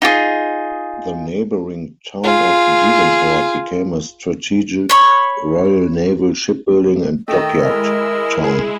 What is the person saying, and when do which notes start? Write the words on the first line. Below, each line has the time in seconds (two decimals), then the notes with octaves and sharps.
The neighbouring town of Devonport became a strategic Royal Naval shipbuilding and dockyard town.
0.02 D#4 F4 G4 G#4
2.24 F4 G#4
4.89 C#5 B5 C#6
7.28 D#3 A3 D#5 G5 E6
7.60 G#3 E4 A#4
8.44 G#4